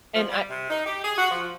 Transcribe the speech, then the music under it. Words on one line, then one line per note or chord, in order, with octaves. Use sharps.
And I
F3
G3
C3
D#4
G4
G#4
F#4
F3